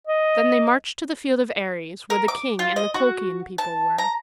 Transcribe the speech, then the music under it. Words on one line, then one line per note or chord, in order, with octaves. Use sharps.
Then they marched to the field of Ares, where the king and the Colchian people were.
D#5
A#4
D6
F4
D#5
F#4
A5
A#5